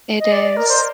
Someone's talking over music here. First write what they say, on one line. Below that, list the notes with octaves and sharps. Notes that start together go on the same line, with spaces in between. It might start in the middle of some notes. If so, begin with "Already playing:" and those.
It is.
D#5
D5
D5
A#4
C5